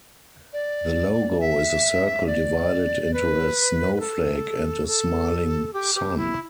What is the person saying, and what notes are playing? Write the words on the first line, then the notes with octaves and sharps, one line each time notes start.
The logo is a circle divided into a snowflake and a smiling sun.
D5
E5
D5
B4
B4
A4
A4
G4
G4
E4